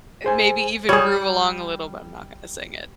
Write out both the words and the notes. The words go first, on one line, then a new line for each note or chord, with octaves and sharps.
eh, maybe even groove along a little, but I'm not gonna sing it,
G#4 C5 G#5
G3 G#4 C#5